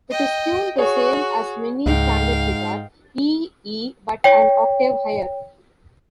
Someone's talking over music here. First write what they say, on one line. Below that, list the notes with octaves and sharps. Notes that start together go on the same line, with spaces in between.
It is tuned the same as any standard guitar, E-E, but an octave higher.
D#5 G5
F#4 G#4 C#5
C#2 G#2 F5 G5
C#5 G5